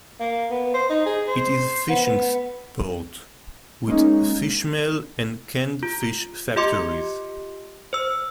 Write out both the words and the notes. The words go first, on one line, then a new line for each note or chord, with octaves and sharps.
It is a fishing port, with fishmeal and canned fish factories.
A#3
B3
C5
D#4
G#4
C5
B3
G#3 A#3 C#4 D#4
F4
F4 G4 D#5 C6 D6 C#7
C5 E6